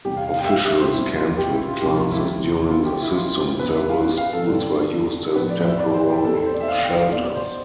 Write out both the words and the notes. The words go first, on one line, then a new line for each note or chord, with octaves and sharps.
Officials canceled classes during the system; several schools were used as temporary shelters.
E2 C3 G3 G4
F5
F5
G5
E5
F5
E5
C5
C2 B2 G3 C4 E4
F4
G4
E4
F4
C2 C3 F3 G4
F4
E4
B2 B3 F4
G4
E4
F4
C5
E2 B2 B3 B4
E5
F5
F5
A4
G2 D3 G3 C4
A2 F3 B3 B4
D5
E5
D5
C5
G4
E2 B2 A3 C4 A4
C5
D5
E5
F5
F5
G5
F5
B2 B3 D5
C5